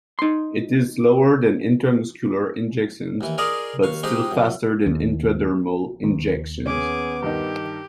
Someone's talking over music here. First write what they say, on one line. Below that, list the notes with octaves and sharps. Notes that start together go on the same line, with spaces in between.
It is slower than intramuscular injections but still faster than intradermal injections.
D#4 C6
D#2 E3
F4 G#4 A#4 D5 D#5 F5
D#2 F5 C#6
G#3 C4 D#4 G4 D#5 F5
F#2
D#2
D#2
B3 C#4 G#4 D6
G2 D#3 D#4 G4